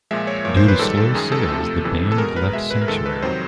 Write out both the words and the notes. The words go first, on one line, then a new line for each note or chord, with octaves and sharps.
Due to slow sales, the band left Sanctuary.
A#2 F3 G#3 E5
C#5
A#2 F3 A#3 C#5
C5
B4
G#2 D#3 G3 A4
A4
F#2 D#3 G#3 G#4
A4
C3 F3 A3
F2 C3 E3
A4
B2 G#3 A#4
B4
B2 G#3 E5
B4
A#4
G#2 D#3 G#3 A4
B4
F2 C3 D#3 F#3 C5